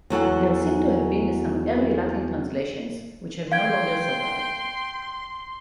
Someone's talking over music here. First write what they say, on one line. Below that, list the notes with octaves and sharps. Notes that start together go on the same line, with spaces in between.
There seem to have been some early Latin translations, which have no longer survived.
E2 F#3 A4 F#5
F5 G5 C6 G#6